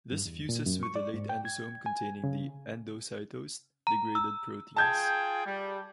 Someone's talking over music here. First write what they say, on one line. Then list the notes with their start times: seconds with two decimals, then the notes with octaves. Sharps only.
This fuses with a late endosome containing the endocytosed, degraded proteins.
0.12 G2
0.25 E2
0.49 A#2
0.66 F#2
0.83 C#6
0.96 D5
1.14 G#2
1.29 G5
1.45 G#6
1.86 G#5
2.24 C#3
3.87 A#5
4.15 E6
4.76 F4 G#4 G5 A5 G6 G#6
5.46 G3